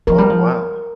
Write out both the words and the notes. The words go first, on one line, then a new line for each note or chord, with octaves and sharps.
Oh, wow.
F3 A#4
G3
F3